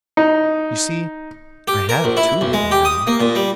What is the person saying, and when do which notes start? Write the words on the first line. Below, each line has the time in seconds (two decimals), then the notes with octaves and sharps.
You see, I have two of them now.
0.17 D#4
1.68 G4
1.89 A#4
2.04 A#1
2.17 E4
2.41 B1
2.53 G#3
2.71 G4
2.85 D#6
3.07 A#3
3.20 A#2
3.35 G3